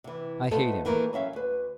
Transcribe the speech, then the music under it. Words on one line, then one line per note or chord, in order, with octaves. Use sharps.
I hate him!
C3 E3
A3 B3 F4 A4 C5 D#5
D#3 E3 A3 A#3 A#4
F#3 C#4 E5 F5
D2 B4